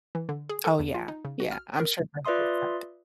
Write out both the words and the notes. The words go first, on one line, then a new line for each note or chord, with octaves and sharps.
Oh, yeah, yeah, I'm sure that's just something
E3
D3
G#4
A4
E2
F4
D#4
C#3
F#4
F6
A#4
F4 B4 D5 E5 C6 D#6